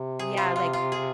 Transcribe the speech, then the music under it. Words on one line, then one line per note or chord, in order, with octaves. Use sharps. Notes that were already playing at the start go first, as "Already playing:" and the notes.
Yeah, like
Already playing: C3
G#4
F4
F4
F4
G#4